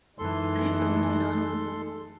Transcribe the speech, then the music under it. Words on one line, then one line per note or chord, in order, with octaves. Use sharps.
Are you going to learn Ruby?
F#2 E3 G#3 D#4 A4 C6